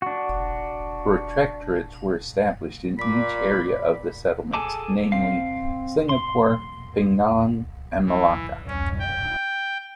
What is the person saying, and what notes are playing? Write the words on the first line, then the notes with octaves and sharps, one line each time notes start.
Protectorates were established in each area of the Settlements, namely Singapore, Penang and Malacca.
D4 F#4
A#2 D5 B5 D6 B6
G#4 A4 G#5 A5 D6
C4 F5
C6
E3
C#4
G5